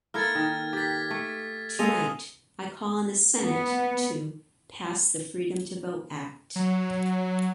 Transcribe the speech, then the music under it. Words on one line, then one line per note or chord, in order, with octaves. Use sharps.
Tonight. I call on the Senate to: Pass the Freedom to Vote Act.
A#3 E4 A4 F6 G#6 A6
D#3
G4 A6 B6
A3
G#3 A4 F5 D#6 D#7 F7
B3
F#3